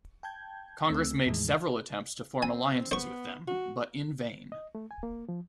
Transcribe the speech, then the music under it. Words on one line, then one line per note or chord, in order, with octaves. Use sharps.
Congress made several attempts to form alliances with them, but in vain.
G5 A5 G6 G#6
D2 A3 C4 E6
E2 A2 D#3 E3 G#3
C4 G#5
B3 C5 C#6
F#4
D#5
A3
G#5
A#3
F3